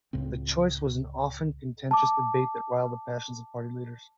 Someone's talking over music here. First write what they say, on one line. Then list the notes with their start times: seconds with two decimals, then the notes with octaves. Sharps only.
The choice was an often contentious debate that riled the passions of party leaders.
0.13 C#2 A2 C#3 C4
1.91 A5 D6